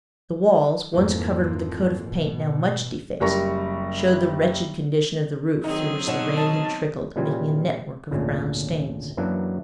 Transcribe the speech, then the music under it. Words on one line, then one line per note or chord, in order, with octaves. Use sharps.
The walls, once covered with a coat of paint now much defaced, showed the wretched condition of the roof through which the rain had trickled, making a network of brown stains.
F2 G#2 E3 A#3
B2
F#1 G3 A#4 C#6 A#6
D#3 F#3 C4 D#4 G#4
B2 C#4 D#4 F#5 E7
A5
A#2 C#3 E3 G3 F4 G#5
G#1 D2 A#2 C#3
F#2 E3 F#3 A#3 D4 F#5